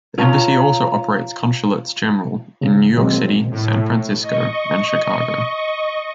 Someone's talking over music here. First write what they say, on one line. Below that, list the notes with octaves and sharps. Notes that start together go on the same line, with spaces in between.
The embassy also operates Consulates-General in New York City, San Francisco, and Chicago.
F4 C#5 A#5
C#3
B2 D#3 F#3 G#3 A#3 C4
A2
D#5 C#6